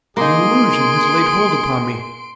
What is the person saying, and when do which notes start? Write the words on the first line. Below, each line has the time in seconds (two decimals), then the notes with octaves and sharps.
An illusion has laid hold upon me.
0.17 A#3 D#4 G#4 C6 D7